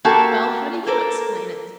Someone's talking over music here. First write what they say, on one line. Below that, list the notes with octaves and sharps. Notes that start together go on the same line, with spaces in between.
"Well, how do YOU explain it?"
A#3 F#4 G4 A4 A#4 A5
A#3 A4 A#4